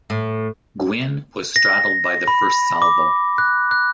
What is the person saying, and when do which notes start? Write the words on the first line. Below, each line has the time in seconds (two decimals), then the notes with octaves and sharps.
"Gwin" was straddled by the first salvo.
0.10 A2
1.56 A#6
2.28 B5
2.82 D6
3.38 F#6
3.71 F#6